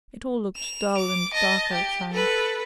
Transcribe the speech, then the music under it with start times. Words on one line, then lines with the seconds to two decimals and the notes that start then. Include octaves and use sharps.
It all looked dull and dark outside.
0.56 E7 F7
0.98 D6
1.33 D#5 A5
1.72 G4
2.13 A4 B4